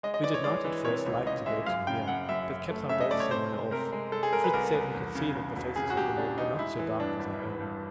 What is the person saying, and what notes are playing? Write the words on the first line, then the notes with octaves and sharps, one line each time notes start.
We did not at first like to go too near, but kept our boat some way off. Fritz said he could see that the faces of the men were not so dark as our own.
G#3 D#5
D#5
E3 D5
C#5
G#3 D5
E3
C3 C#5
C#2
C#2 D#5
G#3 E5
F#2 F5
C#3 G5
F#2 F#5
F#2 E5
F#2
A3
C#3 E5
D#5
A3 D5
C#5
C3 C5
G#3
C3 A#4
G#3
G#3 A4
G#4
G#3 A#4
B4
C2 A#4
C2
E2
C#3
E2
E1
C#3 G#4
F#4
E1 G4
C#3 D4
E1 D#4
G#3 E4
E3
G2 D4
G#1
E3
G2